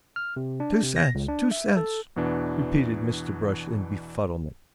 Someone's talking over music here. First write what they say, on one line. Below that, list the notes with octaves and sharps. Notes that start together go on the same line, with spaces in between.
"Two cents, two cents," repeated Mr. Brush in befuddlement.
F6
C3
D4
C3
A#6
C#2
D4
E5
A4
E2 B2 E3 D4